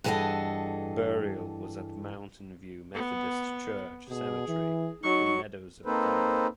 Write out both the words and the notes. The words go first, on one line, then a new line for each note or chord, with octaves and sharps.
Burial was at Mountain View Methodist Church cemetery in Meadows of Dan.
G2 E3 G#4 A4 D#5 F#5
B3
B2 G#4
E3
F#3 D#4 C#6
A#3 C4 D#4 A4 B4 C5